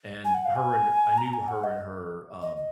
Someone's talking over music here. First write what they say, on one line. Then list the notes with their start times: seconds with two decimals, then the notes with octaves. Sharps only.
and her and I knew her and her, um,
0.25 G#5
0.34 F#5
0.45 F5
0.55 G#5
1.18 A#5
1.34 G#5
1.48 F#5
1.64 D#5
2.42 D#5
2.56 D#5